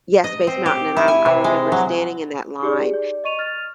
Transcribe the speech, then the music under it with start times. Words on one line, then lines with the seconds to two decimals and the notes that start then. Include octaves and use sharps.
Yeah, Space Mountain, and I I remember standing in that line
0.24 D#5
0.47 C4
0.66 G4
0.97 E4
1.08 G#5
1.25 C3
1.44 G#3
1.72 F#3
2.62 D#4 G4 G#4 D5
2.94 D5
3.24 D#5 C#6 D#7 F7
3.39 F6 A6 F7